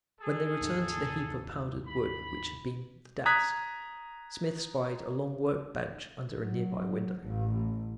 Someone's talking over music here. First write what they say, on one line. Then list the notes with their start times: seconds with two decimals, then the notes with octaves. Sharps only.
When they returned to the heap of powdered wood which had been the desk, Smith spied a long work-bench under a nearby window.
0.21 G#4 A4
0.61 D#2 G#2 D#3
1.87 B5
3.26 A#5 D#6 F#6 G#6 B6
6.39 F#3
7.21 A1